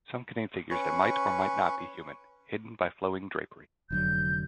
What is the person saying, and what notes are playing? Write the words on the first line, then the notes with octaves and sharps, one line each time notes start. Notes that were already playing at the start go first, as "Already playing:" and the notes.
Some contain figures that might or might not be human, hidden by flowing drapery.
C#4 B4 C#6
F1 D3 F#3 G6